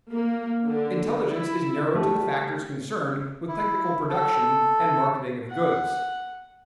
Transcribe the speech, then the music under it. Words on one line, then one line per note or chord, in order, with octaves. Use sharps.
Intelligence is narrowed to the factors concerned with technical production and marketing of goods.
A#3
D3
E4
A3 G4
E4
A4
F#5